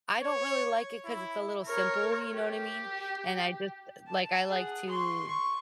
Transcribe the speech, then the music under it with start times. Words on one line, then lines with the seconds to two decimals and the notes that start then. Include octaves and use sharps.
I don't really like it 'cause it's a little simple, you know what I mean? And I just, like, I like to
0.22 C#5
1.05 E4
1.67 A#4 C#5
2.36 G4
4.07 A5
4.48 G#4 F#5
4.89 C6 C#6
5.27 C#6